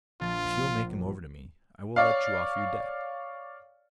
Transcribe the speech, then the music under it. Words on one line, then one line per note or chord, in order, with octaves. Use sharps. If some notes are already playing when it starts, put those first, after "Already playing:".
If you will make him over to me, I will let you off your debt.'
A#1 F4 A6
C#5 D5 F5